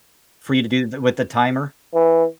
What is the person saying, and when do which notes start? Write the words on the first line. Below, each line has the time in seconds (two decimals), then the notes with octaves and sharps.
for you to do th with the timer.
1.94 E3